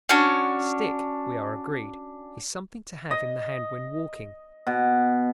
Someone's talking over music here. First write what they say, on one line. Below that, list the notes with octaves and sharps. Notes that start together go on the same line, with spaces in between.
A stick, we are agreed, is something to have in the hand when walking.
C#4 D4 F#4 C#5
D#5
B2